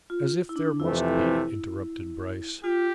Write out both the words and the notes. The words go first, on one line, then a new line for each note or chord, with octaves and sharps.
"As if there must be!" interrupted Bryce.
F4
E4
D4
F2 C3 E3 A3 E4
F4 G4